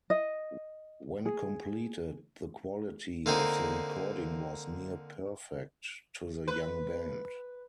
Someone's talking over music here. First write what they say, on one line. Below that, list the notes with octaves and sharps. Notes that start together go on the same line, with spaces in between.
When completed, the quality of the recording was "near perfect" to the young band.
D#5
G#4
D3 A#3 C4 D#4
B4